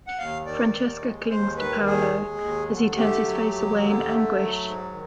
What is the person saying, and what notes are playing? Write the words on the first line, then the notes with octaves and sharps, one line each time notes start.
Francesca clings to Paolo as he turns his face away in anguish.
F#5
D#2 F5
D#3 D5
D#2
G#3
D#2 C5
D#3 B4
D#2 G#4
G#3
D#2
D3
A3 G4
F#3
D#2
D3
A3
F#3
G#2
D#3